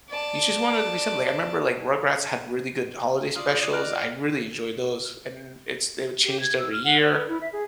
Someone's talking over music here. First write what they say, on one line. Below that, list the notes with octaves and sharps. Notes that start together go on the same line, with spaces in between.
you just want it to be simpler. Like, I 'member, like, Rugrats had really good holiday specials, I really enjoyed those, and it's they were changed every year.
D5 A5
F4 D5 D#6
D#5 F6 F#6 D7
G4
G#6
E6
F6
F#5
D5
B4
E4
E5
G#4